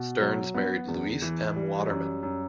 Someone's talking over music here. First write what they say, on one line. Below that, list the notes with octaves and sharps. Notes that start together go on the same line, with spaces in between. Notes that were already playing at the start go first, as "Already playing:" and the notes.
Stearns married Louise M. Waterman.
Already playing: B2
F#3
B3
E2
E3
G3
F#2
F#2